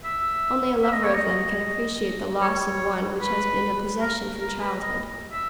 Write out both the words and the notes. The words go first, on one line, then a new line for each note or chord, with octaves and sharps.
Only a lover of them can appreciate the loss of one which has been a possession from childhood.
E5
E5
D#5
C#5
D#5
C#5
B4
A#4
A#4
B4
D#5
E5